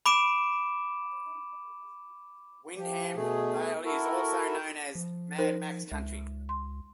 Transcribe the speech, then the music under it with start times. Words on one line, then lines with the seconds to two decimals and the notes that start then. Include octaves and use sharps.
Wyndham Vale is also known as Mad Max country.
0.06 B5 D6 D7 E7
2.77 F3 G4
3.16 B2 A3 G#4
3.85 E4 F#4 A4 A#4
4.95 F3
5.38 D#4 A#4 C5
5.92 C#2 G#3
6.49 C6